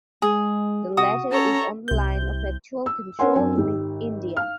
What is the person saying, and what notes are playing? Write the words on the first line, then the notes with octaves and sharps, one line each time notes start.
The latter is on the Line of Actual Control with India.
G#3 G#4
C3 F#4 D#6
C#4 A4 C#5 A#5
C2 G6
E6
C#4 A#4 C#5 F#5 G#5 C6
F#2 C4 D4 A#4 G#5
G#1 G4
F5 F6